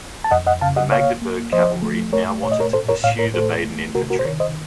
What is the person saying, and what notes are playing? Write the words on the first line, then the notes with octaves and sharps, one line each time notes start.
The Magdeburg cavalry now wanted to pursue the Baden infantry.
A5
F2 D#5 F#5
D#5 F#5
C#3 F5 A5
D#5 F#5
A#3 C#5 F5
A#3
F3 C5 D#5
A3
A3 A#4 C#5
A#2 C#5
D#5
A#4 C#5
A2 A4 C5
A#4 C#5
A2 C#5 F5
A#4 C#5
A3 A4 C5
A3
C3 F#4 A#4
F#4 A#4
C5
D#3 A#4 C#5
C5 D#5